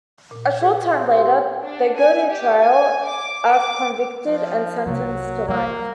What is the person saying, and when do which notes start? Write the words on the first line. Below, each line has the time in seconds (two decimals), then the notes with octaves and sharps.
A short time later, they go to trial, are convicted, and sentenced to life.
0.31 A#2
0.61 G#4 B4 D5
0.95 F#3 C4
1.17 F#4 G4 C5
1.64 D4
1.96 G#5
2.30 G4
2.62 G#5
3.06 D6
3.50 D6
4.26 F3
4.86 C2 F#3 A#3
5.48 G3 A#3